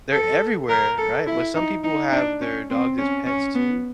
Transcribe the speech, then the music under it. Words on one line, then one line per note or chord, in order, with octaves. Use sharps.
they're everywhere, right? But some people have their dogs as pets, too,
A4
A#4
A4
E4
D#4
D#4
D4
C#4
C4
C#4
C#4
B3